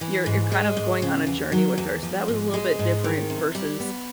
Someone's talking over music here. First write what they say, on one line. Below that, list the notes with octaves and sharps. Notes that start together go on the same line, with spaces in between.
you're you're kind of going on a journey with her. So, that was a little bit different versus,
E3
G#2
G#3
G#2
C#3
E2
F#3
E2
F3
G#2
G#3
G#2
D#3
C3
G3
B3